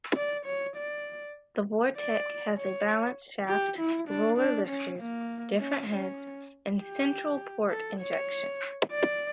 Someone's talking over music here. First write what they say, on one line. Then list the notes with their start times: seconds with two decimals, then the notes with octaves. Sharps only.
The Vortec has a balance shaft, roller lifters, different heads, and Central Port Injection.
0.16 D5
0.46 C#5
0.76 D5
1.97 D5
2.57 C#5
3.48 G4
3.79 E4
4.09 D4
4.38 D4
4.68 C#4
4.99 A#3
5.59 C#4
5.90 C#4
6.80 G4
7.70 A4
8.00 C#5
8.91 D5